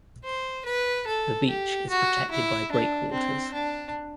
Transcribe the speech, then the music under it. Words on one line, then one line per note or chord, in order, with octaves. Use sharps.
The beach is protected by breakwaters.
C5
B4
A4
G4
F#4
E4
D4
C4
D4